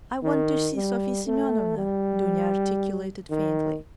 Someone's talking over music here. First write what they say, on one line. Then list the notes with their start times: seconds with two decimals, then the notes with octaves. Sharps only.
"I want to see Sofya Semyonovna," Dounia articulated faintly.
0.23 D#3
0.75 G3
1.26 A3
1.77 G3
3.30 D#3